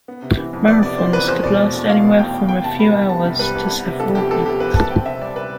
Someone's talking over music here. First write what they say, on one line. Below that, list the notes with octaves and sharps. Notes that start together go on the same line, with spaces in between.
Marathons could last anywhere from a few hours to several weeks.
B3
C3
E3
F2
B3 D5
C3 D5
E3 C5
F2 B4
E2 C5
B2 D5
A3
E2
E2 F5
B2
A3 G5
E2
B3 G5
C3 A5
G3 B5
C2
B3 A5
C3
G3 B4
C2
B3
C3
F3 A4
D2 G4
B3 A4
C3 G4
F3 B4
D2 A5
C4 G5
C3 E5
G3 D5
B4